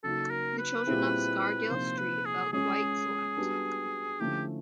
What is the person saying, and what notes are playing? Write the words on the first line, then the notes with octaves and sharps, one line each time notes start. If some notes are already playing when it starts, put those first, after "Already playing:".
The children of Scargill Street felt quite select.
C#3 F#3 A#3 D#4 F#4 A4
A#4
B4
A#2 G3 C4 E4 G#4
C3 F3 A#3 D#4 C5
B4
G#4
G#3 C#4 F4 G#4
G3 B3 D4 F#4 B4
D3 F3 A3 C#4 E4 G4